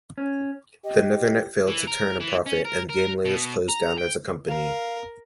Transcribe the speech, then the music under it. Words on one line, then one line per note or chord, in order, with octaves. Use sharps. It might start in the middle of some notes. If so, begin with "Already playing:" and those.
The Nethernet failed to turn a profit, and GameLayers closed down as a company.
C#4
G4 D#5
E3
A#4
E3
C#4
A#4
A#4
B2
A#5
G5
A#4 F5